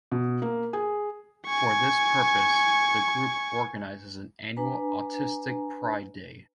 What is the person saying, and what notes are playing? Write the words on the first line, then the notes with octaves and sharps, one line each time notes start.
For this purpose, the group organizes an annual Autistic Pride Day.
B2
A#3
G#4
G#5 C#6
D4 B4 G#5 A#5